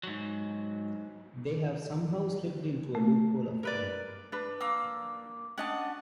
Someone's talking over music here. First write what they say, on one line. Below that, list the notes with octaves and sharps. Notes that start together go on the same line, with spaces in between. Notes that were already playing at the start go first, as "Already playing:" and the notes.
They have somehow slipped into a loophole of time.
G#2 F#3
A3
A#4 B4 D5
D4 B4
A#3 E6
C#4 D4 F#4 D#5 A5